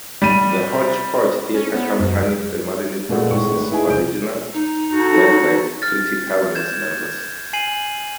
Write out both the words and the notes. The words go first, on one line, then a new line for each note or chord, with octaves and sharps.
The Hodge-Podge Theatre Company primarily produces original work by Critical Mass members.
G3 D#7
C#4
B3
F#2
A#2 G#3 A3 B4 D5 F#5
G#1 A2 G#3 C#6
B4
D#4 E4 G#4 G#5
C2 G6 D7
D#4
F#4 A4
F6 A6
G6 G#6 E7
G#5 C7 D#7 F#7